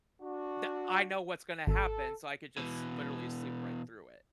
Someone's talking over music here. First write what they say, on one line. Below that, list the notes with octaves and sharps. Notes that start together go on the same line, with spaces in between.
the I know what's gonna happen so I could just literally sleep right through it.
D4 F#4
G#1 A4
B2 E3